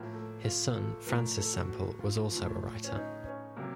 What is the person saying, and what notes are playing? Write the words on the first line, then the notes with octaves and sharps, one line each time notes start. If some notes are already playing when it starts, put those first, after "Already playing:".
His son, Francis Sempill, was also a writer.
Already playing: A2 F3 A#3
A3
F4
A4
A2 F3 A#4
A4
F#4
F#4
F4
A2 F3
C#4
D#4
C#4
C3 F#3 A#3